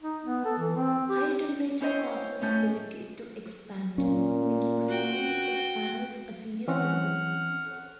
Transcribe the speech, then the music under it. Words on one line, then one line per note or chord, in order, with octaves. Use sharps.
Higher temperatures cause the liquid to expand, making sealing the panels a serious problem.
D#4
B3
A4
E3
C4
G4
C#4 E4 C5 C#5 D#5 G5
A2 A3 C#4 G6
A#2 C#4
F#4 G5
E3 C4 C#4 F#5 F6